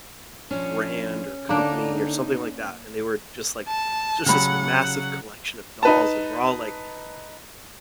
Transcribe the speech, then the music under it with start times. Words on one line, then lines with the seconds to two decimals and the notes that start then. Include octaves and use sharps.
brand or company or something like that, and they were just, like it's just this massive collection of dolls, and they were all, like,
0.51 F3 C#4 D4
1.49 D3 A#3 D4 D#4
3.68 A5
4.26 C#3 F#3 G4 D5 F#5 B5
5.83 D#4 B4 A5